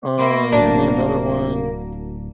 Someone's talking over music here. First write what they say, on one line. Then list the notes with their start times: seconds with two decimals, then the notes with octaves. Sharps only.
um, and then another one
0.19 A#3 E5 B5 C6
0.52 D1 D4 F#4 A#5